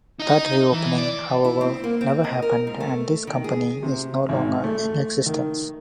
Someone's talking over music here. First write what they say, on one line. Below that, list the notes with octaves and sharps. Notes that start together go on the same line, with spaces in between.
That re-opening, however, never happened and this company is no longer in existence.
D#4 D#5
E3
D5
E4
C4
A#3
C4
D#5
A#4
G#2
A3
D#3
G#4
C3
G#1
A3
D#3